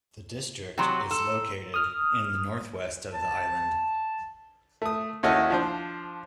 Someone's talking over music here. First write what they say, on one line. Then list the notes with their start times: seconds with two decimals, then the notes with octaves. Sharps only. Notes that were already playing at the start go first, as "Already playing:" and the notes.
The district is located in the northwest of the island.
0.78 C3 F#3 G5 A#5 C6
1.11 A4
1.74 D#6 F6
3.13 A5
4.82 A3 D#6
5.23 D#2 C#4 E4 F#4 A4 D#5
5.50 F3 D4 C5